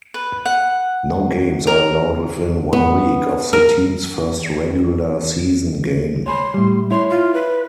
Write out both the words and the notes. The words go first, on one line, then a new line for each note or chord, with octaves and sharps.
No games are allowed within one week of the team's first regular season game.
B4
F#5
A#4
B3
A#4
C#5 G#5 B5 C6
A2 G3
E4 C#5 C6
F4
B4